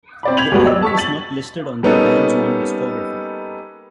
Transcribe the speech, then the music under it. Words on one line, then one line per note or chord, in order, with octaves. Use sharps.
The album is not listed on the band's own discography.
C4 D5 B5
G#6 B6 F7 F#7
D#2 G#2 B2 F#3 G3 B3
D5 D#5 E6
A5 C#6 B6
A6 F#7
G3 A#3 B3 C#4 D#4 A4